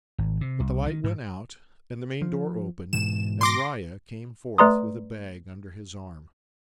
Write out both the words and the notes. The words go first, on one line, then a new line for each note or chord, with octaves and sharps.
But the light went out, and the main door opened, and Riah came forth with a bag under his arm.
G#1
C3
C2
D#3
G#2
F3
G#2 B2 E3 E7
C6 D6 A#6
A3 B4 D5 A#5 C6 D#6